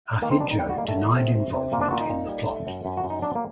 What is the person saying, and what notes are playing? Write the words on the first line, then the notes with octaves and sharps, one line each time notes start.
Ahidjo denied involvement in the plot.
D#3 A#3
C4
G3 D4
D#4
G3 G4
F#4
D#3 A#3
A3
F#3
C3
C3
C3
A#2 A#3
D4
A#2 F#4
D#4
A#2
G3
A3
F#2
F#2
F#4
F#2
D#4
F#3 D4
A#3